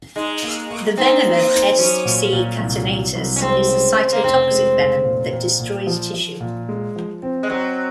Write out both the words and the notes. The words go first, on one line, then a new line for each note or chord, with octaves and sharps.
The venom of "S. c. catenatus" is a cytotoxic venom, that destroys tissue.
G#3 D#4
A#3
A#3
C4 D#4
A#3
D#4
F#3 C#4
A#2
A#2
C2
F#3
C2
C#4
G#3 C4
C#3
C#3
A#3
F1 C4
G#3
F1
A#2
A#2
A#2
F3
F3
A#2
G#3
F3
C4
G#3
F#3 C4